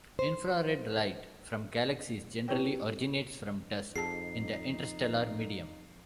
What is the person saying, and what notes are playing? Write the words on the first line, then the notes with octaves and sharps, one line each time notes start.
Infrared light from galaxies generally originates from dust in the interstellar medium.
C5
C4 E4 G4 B4 C#5 G5
F2 D#4 G#4 A5 C7